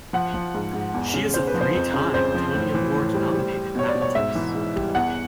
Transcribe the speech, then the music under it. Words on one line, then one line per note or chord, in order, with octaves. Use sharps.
She is a three-time Tony Award-nominated actress.
F3 F#5
F3
G#2
G#2
E2
C#3
E2 C5
B4
F3
C5
F2
C#3
F2 C5
F3
A2
E3
A2
G3
G3
G3
B2 C#5
D5
B2
C#5
G#2 E5
E3
G#2
G3
E2 F#5